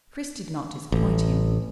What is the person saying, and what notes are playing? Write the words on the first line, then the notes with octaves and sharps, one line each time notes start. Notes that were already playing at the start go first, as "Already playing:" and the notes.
Chris did not disappoint him.
A1